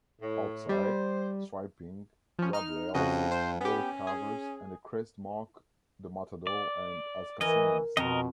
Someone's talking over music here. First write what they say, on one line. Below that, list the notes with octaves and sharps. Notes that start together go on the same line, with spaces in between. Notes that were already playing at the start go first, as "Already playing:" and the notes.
Outside, striping, rub rails, wheel covers and a crest mark the Matador as Cassini's.
A2
G3 C5
F3 C#4
D#4 F6
F2 C#3 F#4 D#5
C5
B3 C#4 G4
G#4
D5
E3 A#4 D#5 G#5
F2 B2 A#4 D#5